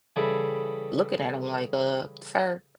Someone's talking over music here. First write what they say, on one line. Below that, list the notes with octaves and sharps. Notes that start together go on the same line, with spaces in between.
looking at him, like, "Uh, sir,
C#3 E3 G3 G#4 A4 B4